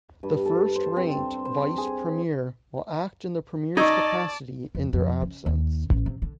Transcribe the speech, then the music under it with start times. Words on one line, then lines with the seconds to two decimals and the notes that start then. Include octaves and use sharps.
The First-ranked Vice Premier will act in the premier's capacity in their absence.
0.23 G2
0.46 A4
0.76 C5
0.97 C4
1.14 C6
1.45 C5
1.78 G#4
3.77 D#4 D5 D#5 A5 C#6 E6 G#6
4.75 F2
4.93 F2
5.22 C#3
5.46 D#2
5.91 A1
6.06 C3
6.22 D3